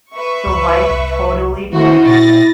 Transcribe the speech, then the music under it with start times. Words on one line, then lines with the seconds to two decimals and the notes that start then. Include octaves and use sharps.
The wife totally believed it.
0.14 B4 E5 C#6
0.46 C#2
0.91 C2
1.73 D#3 E4 F#4 C5
2.06 A#2 A6 A#6